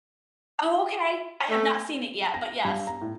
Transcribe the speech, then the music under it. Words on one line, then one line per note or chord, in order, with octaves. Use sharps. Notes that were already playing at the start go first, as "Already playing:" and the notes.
Oh, okay. I have not seen it yet, but yes.
A3
A#6
G2
A#5
A2